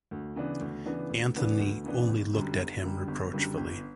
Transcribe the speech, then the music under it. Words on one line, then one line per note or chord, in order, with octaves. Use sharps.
Anthony only looked at him reproachfully.
D2
C#3 E3 B3 D4
D2
C#3 E3 B3 D4
D2
C#3 E3 B3 D4
D2
C#3 E3 B3 D4
G1
F#2 D3 G3
G1
F#2 D3 G3
G1
F#2 D3 G3
G1